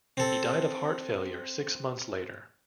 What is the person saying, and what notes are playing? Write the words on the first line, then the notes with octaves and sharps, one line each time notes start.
He died of heart failure six months later.
C4 A4